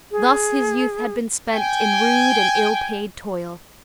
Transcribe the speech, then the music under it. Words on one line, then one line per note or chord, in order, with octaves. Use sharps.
Thus his youth had been spent in rude and ill-paid toil.
G#4
G5 G#5